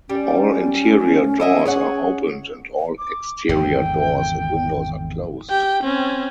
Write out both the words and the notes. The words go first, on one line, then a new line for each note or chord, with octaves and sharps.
All interior doors are opened, and all exterior doors and windows are closed.
G3 C#4
E4 D#5 E5
G#4 C#5 F#5
D6
G#1 E2 D3 G5
G4 G5
C4 C#4